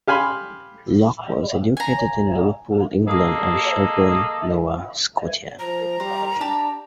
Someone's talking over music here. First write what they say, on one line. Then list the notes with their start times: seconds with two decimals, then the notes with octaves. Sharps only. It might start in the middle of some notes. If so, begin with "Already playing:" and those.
Locke was educated in Liverpool, England and Shelburne, Nova Scotia.
0.07 G4 F5 G#5 B5 C6
1.77 G#5 A#5
3.06 A#3 G#4 A4 D#5
5.59 F3 A#5
6.00 G3 C5
6.41 D4 G4 A5